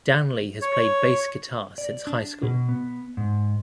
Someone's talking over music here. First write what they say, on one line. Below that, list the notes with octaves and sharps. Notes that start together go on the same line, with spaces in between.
Danley has played bass guitar since high school.
C#5
D5
D4
B2
B3
G#2